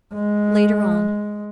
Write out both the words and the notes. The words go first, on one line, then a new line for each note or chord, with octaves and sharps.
"Later on."
G#3